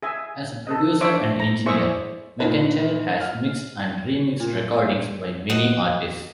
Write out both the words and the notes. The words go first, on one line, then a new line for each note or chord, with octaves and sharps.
As a producer and engineer, McEntire has mixed and remixed recordings by many artists.
G#4 E5 G#5
A4 D#5
D4 C5 C#5 E5 D6
A#5
E4 G#4 C5 D5 E5 C#6
A#2 D#4 B4
F6
A#2
F#4 D#5